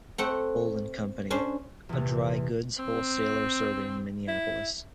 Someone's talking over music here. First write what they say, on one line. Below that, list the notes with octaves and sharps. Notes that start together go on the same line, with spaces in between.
Bull and Company, a dry goods wholesaler serving Minneapolis.
A3 C4 F#5
C#4 D4 C5
E2 C3
C4
E4